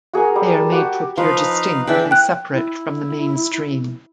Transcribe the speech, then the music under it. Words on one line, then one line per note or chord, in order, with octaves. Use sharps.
They are made to appear distinct and separate from the mainstream.
F#4 G#4 A#4 G#5
G3 G#4
A5
F#4 G4
F3 D#4 B4 F5
E3 D4 G#4 B4 E5 G5
G5 F#6
E4